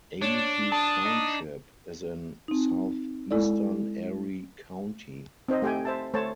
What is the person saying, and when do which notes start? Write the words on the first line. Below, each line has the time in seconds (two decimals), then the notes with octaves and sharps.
Amity Township is in southeastern Erie County.
0.22 D4 C#5
0.72 A5 D#6
1.05 D#4
2.48 C4 D#4
3.31 G#3 E4 A4 D5
5.48 C4 D#4 C5 D#5
5.62 A3 G4 G5 G#5
5.85 C5 E5 A5
6.14 A3 C5 C#5 A5